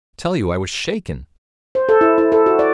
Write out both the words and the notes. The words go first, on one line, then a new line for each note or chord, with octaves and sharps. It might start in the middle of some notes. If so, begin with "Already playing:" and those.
I tell you I was shaken.
C5
A4
E4
E4
A4
F#4
D5